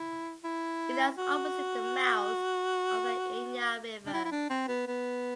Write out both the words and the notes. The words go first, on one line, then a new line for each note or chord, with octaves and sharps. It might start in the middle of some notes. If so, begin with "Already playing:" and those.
It lies opposite the mouth of the Inya River.
Already playing: E4
E4
F#4
D4
E4
E4
D4
C4
B3
B3